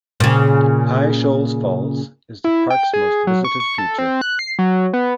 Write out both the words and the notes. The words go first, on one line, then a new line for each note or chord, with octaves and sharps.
High Shoals Falls is the park's most visited feature.
A#2 C#3
E4
G5
G#4
F#3
C#6
C#6
A4
C4
F#6
C7
F#3
B3